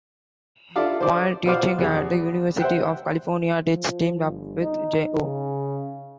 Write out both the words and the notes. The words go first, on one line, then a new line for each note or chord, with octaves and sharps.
While teaching at the University of California, Deetz teamed up with J. O.
D4 E4 F4 A4 D5 F5
C5 D5
B2 F4 C5 D5 F5
E2 B3 G#4
C5 E5 F#5 G5
F3
G1
D#4
C#3